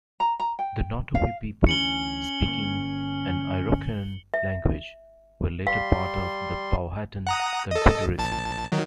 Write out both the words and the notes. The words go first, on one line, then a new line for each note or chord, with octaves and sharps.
The Nottoway people, speaking an Iroquoian language, were later part of the Powhatan Confederacy.
A#5
A#5
G5
F5
D2 E3 C#4 C#7 F#7 G7
G1 A#3
E5
G3 F5 C6
F#5 A#5 D#6
A4 D#5
A#1 A5
D#3 F#3